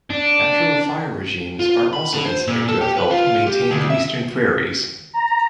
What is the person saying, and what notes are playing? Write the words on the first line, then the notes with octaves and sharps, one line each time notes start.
Natural fire regimes are also considered to have helped maintain the eastern prairies.
D4
F4
B5
D3
C5
A#2
A4
G4
B4
F4
G4
D2
E5
A#5